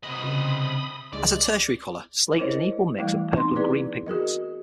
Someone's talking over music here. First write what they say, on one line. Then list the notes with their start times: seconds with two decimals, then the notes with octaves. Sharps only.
As a tertiary color, slate is an equal mix of purple and green pigments.
0.03 C3 D#5 B5 D#6
0.24 C#3
1.13 C#2 G#3 D5
2.38 E4 A#4 C5 C#5 D#5
2.98 E3 G3 A3 E4 F5
3.34 B3 C4 D#4 C6
3.56 E4 G#4 B4 D5
4.06 F#4 G#4 A#4 D#5